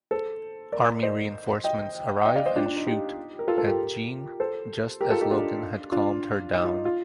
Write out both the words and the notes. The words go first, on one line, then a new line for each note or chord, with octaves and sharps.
Army reinforcements arrive and shoot at Jean just as Logan had calmed her down.
A4 C5
A#4 D5
C5 D#5
D#5 G5
D#5 G5
D5 F5
C5 D#5
D4 F4
D4
D#4
D#4 G4
A#4
F4 A4
F4 A4
G4 A#4
A4 C5
G4 A#4
F4 A4
D#4 G4
D4 F4
D4 F4
D#4
F4
D#4
F4